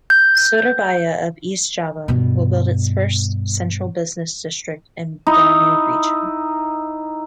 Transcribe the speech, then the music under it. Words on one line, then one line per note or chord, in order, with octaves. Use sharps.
Surabaya of East Java, will build its first central business district in Darmo region.
G6
G2 B2
D#4 E4